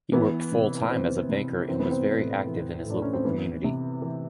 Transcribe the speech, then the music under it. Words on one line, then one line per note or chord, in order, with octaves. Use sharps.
He worked full-time as a banker and was very active in his local community.
E3 B3
C3
B3
E3 C4
C3
E3 C4
B3
C4
A2
E3
A2
D4
C#4
C4
E3 B3
C3
E3